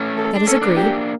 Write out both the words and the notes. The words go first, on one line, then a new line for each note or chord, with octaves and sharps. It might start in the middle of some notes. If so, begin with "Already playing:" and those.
"That is agreed."
Already playing: A3 C#4
A4
D4
A3 C#4 A4
A#3 D4
G4